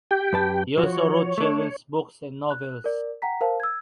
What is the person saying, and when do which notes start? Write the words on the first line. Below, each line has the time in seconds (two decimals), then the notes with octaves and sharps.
He also wrote children’s books and novels.
0.11 G4 G5
0.33 F#2 B4 A5
0.77 F3 F#4 C#5
1.38 A3 D4
2.50 F#6
2.84 A#4 D5
3.22 F#5 G5 A#5 B6
3.41 A#4 C5 F5 A5
3.60 E6 G#6